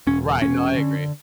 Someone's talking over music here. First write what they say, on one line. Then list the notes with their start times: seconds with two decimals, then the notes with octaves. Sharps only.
Right, no I agree.
0.07 E1 C#4
0.41 E1 C#4
0.77 D3